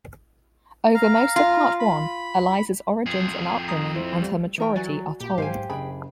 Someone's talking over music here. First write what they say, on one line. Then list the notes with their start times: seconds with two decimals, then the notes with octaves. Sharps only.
Over most of Part One, Eliza's origins and upbringing, and her maturity are told.
0.95 F5 A#5
1.36 F4
1.80 B5
3.06 F2 G#4
3.68 A#5 D#6
3.95 E4 C5
4.22 G3
4.58 E3 D#4 A#4 G5
4.76 F#3 F#4 D5 G#5
5.21 A#2 G4
5.38 G#2 F#3 C5 F5 G5 G#5
5.70 F#1 D4 G#4 G5 B5